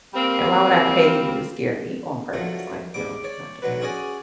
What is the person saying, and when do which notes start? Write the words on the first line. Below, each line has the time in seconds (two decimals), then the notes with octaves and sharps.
and "Why would I pay you to scare me on purpose," like, "No," not doing that.
0.14 G3 A#3 C4
2.33 D3 F3 F#3 A3
2.94 G#2 G3 D6
3.24 C#5 D5
3.62 B1 D3 F#3 B4
3.81 C#4 F#4 G#4 C#5 D5 G#5